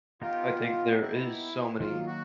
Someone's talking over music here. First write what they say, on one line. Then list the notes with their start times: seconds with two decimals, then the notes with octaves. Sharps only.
I think there is so many
0.22 B3 D#4 F4 G4 A#4
1.01 E4
1.80 D#3 F#3 A#3 F4
2.06 F#4